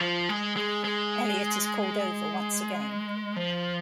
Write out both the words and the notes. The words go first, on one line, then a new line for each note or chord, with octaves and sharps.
Eliot is called over once again.
F3
G#3
G#3
G#3
F3